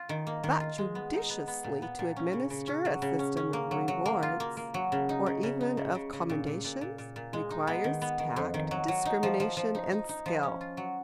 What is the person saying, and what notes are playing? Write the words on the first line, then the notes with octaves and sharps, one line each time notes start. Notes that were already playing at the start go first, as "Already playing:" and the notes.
But judiciously to administer a system of rewards, or even of commendations, requires tact, discrimination, and skill.
Already playing: F4
D#3
A#3
D#3
F4
G#3
B3
D#4
B3
B3
A#2
B3
A#2
C#4
C#3
C#3
C#4
F#3
C#3
C#4
C#4
A#3
F#3
F#3
A#3
F4
A#3
A#3
F#3
C#3
D#4
C#3
C#3
D#4
C#3
C#3
C#3
A#2
A#2
A#2
A#2
A#2
A#2
G#3
D#4
B3
D#3
B3
D#3
F2
D#3
F#3
F#3
D#4
F3
F3
F3
D#4
D#4
D#4
F3
C#4
F4
F#3